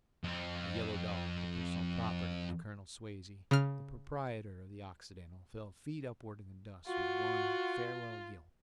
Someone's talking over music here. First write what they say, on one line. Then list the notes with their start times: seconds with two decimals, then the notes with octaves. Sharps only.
A yellow dog, the personal property of Colonel Swazey, the proprietor of the Occidental, fell feet upward in the dust with one farewell yelp.
0.24 F2 C4
3.51 C#3 F6
6.87 F4 F#4